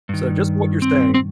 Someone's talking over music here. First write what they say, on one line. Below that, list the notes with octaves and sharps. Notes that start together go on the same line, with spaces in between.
So just what you're saying
G2 D#3
C4
C4